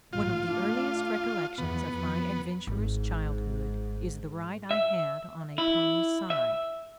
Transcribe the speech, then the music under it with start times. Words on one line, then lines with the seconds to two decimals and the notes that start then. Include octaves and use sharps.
One of the earliest recollections of my adventurous childhood is the ride I had on a pony's side.
0.13 A1 G#2 F4
0.48 A3 D4
1.58 E2 B3
1.92 F2
2.67 G#1 G#2
4.71 E5
5.58 E4
6.30 E5